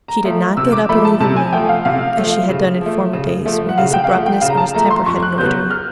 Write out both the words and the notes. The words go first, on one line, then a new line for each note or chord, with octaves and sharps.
She did not get up and leave the room, as she had done in former days, when his abruptness or his temper had annoyed her.
A#5
F3 A3
C3 E6
D6
F3 A3 B5
A5
C3 A5
G#5
F3 A3 G5
F5
C3 F5
F3 A3
C#3
F3 A3
C#3
F3 A3
F#5
C#3 F5
G5
F5
F3 F#5
A3
G5
C#3 F5
A#5
A5
F3 A3 A#5
C6
F2 C#6
F#6
C#3 F#3 B3 G6
F6